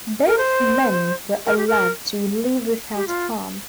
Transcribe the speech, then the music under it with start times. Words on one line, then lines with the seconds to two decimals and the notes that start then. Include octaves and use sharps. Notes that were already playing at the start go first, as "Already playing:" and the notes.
Both men were allowed to leave without harm.
0.26 A#4
0.38 C5
1.46 A#4
1.57 G4
1.67 A#4
2.96 G4
3.07 F4